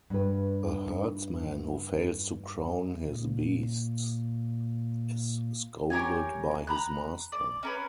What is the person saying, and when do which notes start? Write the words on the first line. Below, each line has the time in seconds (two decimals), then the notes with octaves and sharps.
A herdsman who fails to crown his beasts is scolded by his master.
0.10 G2 B4
3.02 A#2 A#3
5.90 G4 A#4 C#5 G#5
6.67 A#5 B5 F#6
7.32 D5
7.63 C#4 A#4 B4